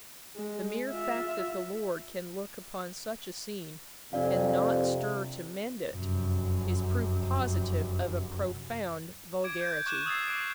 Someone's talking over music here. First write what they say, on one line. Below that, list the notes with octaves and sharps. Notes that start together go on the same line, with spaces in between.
The mere fact that the lord can look upon such a scene and not stir to mend it, is proof positive of a profound vulgarity.
G#3
F4 E5
F2 C3 D4 D5 F5
F1 F#2
D6 G#6 D7
G6
C#6 D6 F#6 E7
D#6 E6 G#6 A6 C7
D6 C7 D7